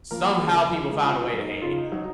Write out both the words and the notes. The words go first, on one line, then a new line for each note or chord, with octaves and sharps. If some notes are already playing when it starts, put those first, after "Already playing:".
Somehow people found a way to hate that.
F3 A#3 A#4
C#3 G#4
A#4
G#4
F3 A#4
G#3 G#4
C#3 F4
F4
D#4
F#3
D#4
C#3 F4
D#4
F#3 D#4